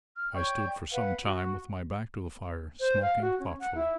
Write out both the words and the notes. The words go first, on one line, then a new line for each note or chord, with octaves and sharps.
I stood for some time with my back to the fire, smoking thoughtfully.
F6
C#5 D5 G5 C#6
B4 F5 F#5
F#4
C5
F5
F#4
C#4
F#5
E4